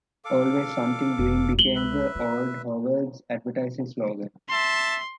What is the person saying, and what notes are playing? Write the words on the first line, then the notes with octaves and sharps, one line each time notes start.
"Always Something Doing" became the Old Howard's advertising slogan.
A4 F5 D6
F1
C#2 G#3 F#7 G7
B4 E5
F4
E5 A5 C6